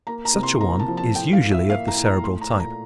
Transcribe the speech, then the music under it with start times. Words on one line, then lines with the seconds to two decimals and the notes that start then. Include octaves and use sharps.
Such a one is usually of the Cerebral type.
0.07 A#3 A#5
0.25 A#5
0.34 C3
0.43 C6
0.61 A#3 A#5
0.79 A5
0.88 F3
0.97 A5
1.15 A2 G5
1.33 F5
1.43 A2
1.51 E5
1.69 A#3 F5
1.88 A#5
1.96 A2
2.06 A#5
2.24 A3 C6
2.41 A#5
2.50 A#2
2.60 A#5